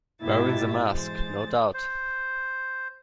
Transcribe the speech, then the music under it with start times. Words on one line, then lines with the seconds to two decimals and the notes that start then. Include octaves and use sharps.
Wearing the mask, no doubt.
0.22 G#2 B2 E4 G4 E5 A6
0.90 E3 G#3 C5 A6
1.74 C5